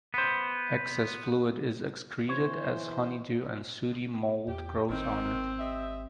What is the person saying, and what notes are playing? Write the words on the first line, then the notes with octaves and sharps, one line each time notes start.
Excess fluid is excreted as honeydew and sooty mould grows on it.
B3 C5
E3 C5 C#5
E2 G4
G#1 D#3 C4
G4 D#5 E5